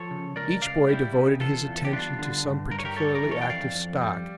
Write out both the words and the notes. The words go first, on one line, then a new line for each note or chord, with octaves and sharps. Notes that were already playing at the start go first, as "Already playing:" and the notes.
Each boy devoted his attention to some particularly active stock.
Already playing: F3 A4 C#5
C#3
C#2 A#4 D5
C#2 D5 F5
G3 E4 G4
C#3
E2 F4 A4
E2
A4
G4
G3 D4 F4
D3
G2
G2 A#4
C#5
G4 A#4
G3 A4 C#5
A#4 D5
E3
A4 C#5
G5
F2 D5 F5
F2
G3